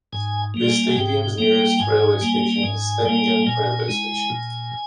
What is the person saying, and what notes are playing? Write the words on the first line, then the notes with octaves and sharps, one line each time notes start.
The stadium's nearest railway station is Stellingen railway station.
G#2 G#5
G3 A#3
G#5
G#2 G5
G3 A#3 G5
G#2 G#5
G3 A#3
G#2
G3 A#3
A#2 G#5
G#3 E4
A#2